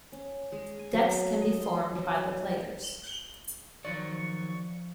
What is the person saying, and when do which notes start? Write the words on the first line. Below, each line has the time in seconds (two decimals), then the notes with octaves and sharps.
Decks can be formed by the players.
0.12 C#4
0.52 G#3
0.79 G#5
0.93 F#3
1.42 D#5
1.61 C6
1.95 F#3
3.85 D#3 F3 F#3 D5 C#6